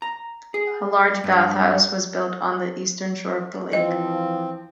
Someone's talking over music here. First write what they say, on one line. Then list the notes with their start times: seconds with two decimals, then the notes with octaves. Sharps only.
A large bathhouse was built on the eastern shore of the lake.
0.02 A#5
0.54 G#4
1.24 G2
3.73 E3 F3 C4 D#5